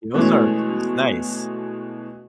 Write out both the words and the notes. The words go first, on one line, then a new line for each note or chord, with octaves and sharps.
Those are pris nice.
B2 E3 G#3 A3 C#4